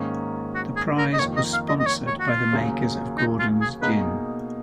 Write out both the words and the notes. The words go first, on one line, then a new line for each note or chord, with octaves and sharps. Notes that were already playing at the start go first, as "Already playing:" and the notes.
The prize was sponsored by the makers of Gordon's Gin.
Already playing: G#2 D#3 A#3 C#4
F#4
G#4
A#4
D#5
F2 D#3 A#3 C#5
D#5
F5
D#5
D#5
C#5
C#5
F#4
F4
D#2 C#3 F#3 A#3
D#4
F4
G#4
B2 A#3 D#4 G#4 B4